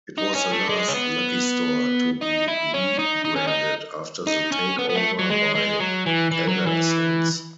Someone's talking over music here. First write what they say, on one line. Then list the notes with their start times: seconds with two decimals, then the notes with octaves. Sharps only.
It was the last Lucky Store to be re-branded after the takeover by Albertsons.
0.18 D#4
0.35 C#4
0.52 A3
0.69 G#3
0.89 C#4
0.95 B3
2.22 D#4
2.48 E4
2.74 C#4
2.99 D#4
3.25 D#4
3.36 C#4
3.47 D#4
4.27 D#4
4.52 C#4
4.79 B3
4.89 B3
4.95 A3
5.19 F#3
5.30 G#3
5.55 G#3
5.80 F#3
6.07 E3
6.31 E3
6.49 F#3
6.66 E3